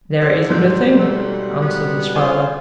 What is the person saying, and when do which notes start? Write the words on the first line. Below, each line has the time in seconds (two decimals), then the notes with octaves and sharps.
"There isn't a thing," answered his father.
0.21 D3 G#4 C5
0.49 G#2 B2 F#3 G3 F#5 G6
0.99 A3
1.62 B3
2.15 F4 C5 G#5 C#6